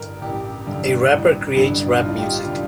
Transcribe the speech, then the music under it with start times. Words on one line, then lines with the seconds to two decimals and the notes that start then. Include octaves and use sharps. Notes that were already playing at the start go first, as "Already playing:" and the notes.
A rapper creates rap music.
Already playing: A1 G2 D3 G3 A#4
0.22 A1 G4
0.66 G2 D3 G3
1.11 A1
1.55 G2 D3 G3
1.91 F4
1.99 A1 D#4
2.19 G4
2.30 F4
2.44 D3 G3